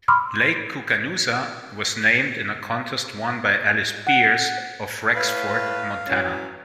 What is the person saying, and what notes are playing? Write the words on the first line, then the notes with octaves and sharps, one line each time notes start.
Lake Koocanusa was named in a contest won by Alice Beers of Rexford, Montana.
B5 C6 D6 E6 F6
F#5
A2 B4 F5
E3 F#3 C#4